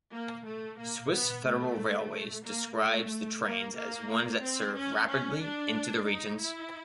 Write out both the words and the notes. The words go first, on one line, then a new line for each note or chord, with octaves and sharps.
Swiss Federal Railways describes the trains as ones that serve "rapidly into the regions".
A#3
A3
A#3
B3
A3
A#3
A3
A#3
A#3
C4
C#4
C#4
D4
D#4
E4